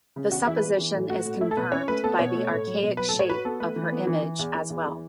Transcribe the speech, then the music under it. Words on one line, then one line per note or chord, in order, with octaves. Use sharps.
The supposition is confirmed by the archaic shape of her image as well.
C#3
E2 F#4
E3 E4
B4
E2
E3
A2
A3 F#4
A2
A3 E4
A4
B2 B4
C#4 C#5
A3 B4
B3 A4
B2 C#5
A3
A2
F#3
B2
F#3 B4
A4
A2
C#5
F#4 B4
B3 A4
A3 B4
E3
B3
E3
E3
E2
E3
E2
E3